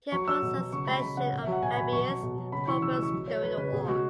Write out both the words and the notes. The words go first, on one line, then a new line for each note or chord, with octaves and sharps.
He opposed the suspension of habeas corpus during the war.
F#3 C#6
F#3 E6
B2
F#3
C#3 C#6
G#3 B5
C#3 B5
C#3 F#5
B2
E5
F#3
F#5
B2 G#5
B2 B5
B2 C#6
F#3
B2
F#3
C#3 B5
E3 C#6
C#3 E6
E6
G#3 C#6
F#3
F#3 C#5
F#3 B4
C#3 B4
B2 G#4
G#3 F#4